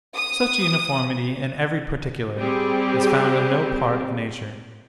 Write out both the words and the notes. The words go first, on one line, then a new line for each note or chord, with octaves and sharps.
Such a uniformity in every particular, is found in no part of nature.
D#6
G3 C4 G4 G#4